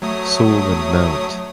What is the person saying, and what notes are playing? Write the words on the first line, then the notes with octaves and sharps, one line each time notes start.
Sole and Mt.
F#3 A3 D#6